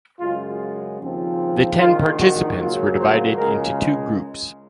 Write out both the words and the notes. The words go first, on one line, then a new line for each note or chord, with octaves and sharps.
The ten participants were divided into two groups.
F#2 C#3 G#3 F4
D#2 C#3 F3 C4
A#1 G#2 D#3 F4
F#4
C#2 C#3 F#3 A#3 F4
C5
C#2 C#3 G#3 A#4